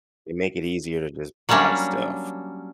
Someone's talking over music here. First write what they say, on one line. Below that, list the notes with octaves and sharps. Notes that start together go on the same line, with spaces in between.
they make it easier to just buy stuff.
F#3 G3 A#3 C#4 D4